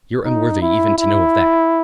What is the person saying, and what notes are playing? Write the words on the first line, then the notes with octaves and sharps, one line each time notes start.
You're unworthy even to know of that.
D#4
E4
E4